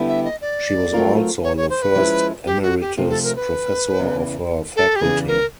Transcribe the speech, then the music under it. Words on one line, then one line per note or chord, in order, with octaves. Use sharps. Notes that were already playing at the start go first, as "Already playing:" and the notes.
She was also the first emeritus professor of her faculty.
Already playing: D3 G3 B3 E4 G4
E5
D#5
D5
F#3 A3 C4 F4 A#4
C#5
C#5
C5
B4
F3 G#3 C#4 E4
G4
F#4
G4
C3 F3 A3
A4
A#4
B4
E2 C#3 E3
A4
G4
E2 C#3 E3 G#4
A#4